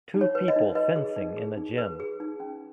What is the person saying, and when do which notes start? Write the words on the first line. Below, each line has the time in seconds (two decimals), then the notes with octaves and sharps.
Two people fencing in a gym.
0.14 D#4
0.21 C#5
0.35 B4
0.48 D#5
0.56 D#4
0.75 B4 D#5
0.96 G#4
1.17 D#4
1.37 G#4
1.58 D#4
1.78 B4
2.00 G#4
2.20 D#4
2.40 C#4